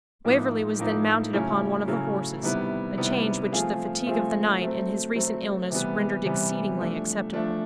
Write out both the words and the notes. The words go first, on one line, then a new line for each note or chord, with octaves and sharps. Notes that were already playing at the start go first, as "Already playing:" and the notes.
Waverley was then mounted upon one of the horses, a change which the fatigue of the night and his recent illness rendered exceedingly acceptable.
A2 F3 A#3 D#4
A2 F3 A#3 D#4
C#3 F#3 A3 C#4 E4
C#3 F#3 A3 C#4 E4
C3 D#3 G3 B3 E4
C3 D#3 G3 B3 E4
F3 A3 C4 F4 G#4
F3 A3 C4 F4 G#4
F#3 A3 C4
F#3 A3 C4
C3 E3 G3 B3
C3 E3 G3 B3
F3 A3 D4
F3 A3 D4